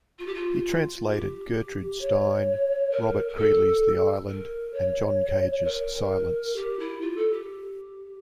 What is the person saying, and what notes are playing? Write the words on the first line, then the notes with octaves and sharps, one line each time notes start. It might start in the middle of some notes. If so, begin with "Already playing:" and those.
He translated Gertrude Stein, Robert Creeley's "The Island", and John Cage's "Silence".
F4
G4
F4
G4
C#5
A#4
A#4
A4
A#4
C#5
A#4
G4
E4
F4
A4
G4